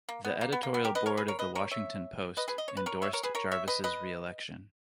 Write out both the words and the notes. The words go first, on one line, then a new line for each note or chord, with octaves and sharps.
The editorial board of The Washington Post endorsed Jarvis' reelection.
A#3
B3
A#3
B3
A#3
B3
G4 A#4
B4 D#5
A#4 C#5
G#4 B4
A#4 C#5
B4 D#5
A#4 C#5
C#5 E5
B4 D#5
G#4 B4
D#5
C#5
B4
A#4 C#5
C#5 E5
A#4 C#5
G#4 B4
A#4 C#5
C#5 E5
B4 D#5
B4 D#5